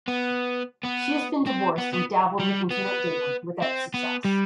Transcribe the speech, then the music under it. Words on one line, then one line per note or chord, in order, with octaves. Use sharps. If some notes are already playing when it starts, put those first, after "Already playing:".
She has been divorced and dabbled with internet dating without success.
B3
B3
C4
B3
B3
G3
B3
C4
B3
G3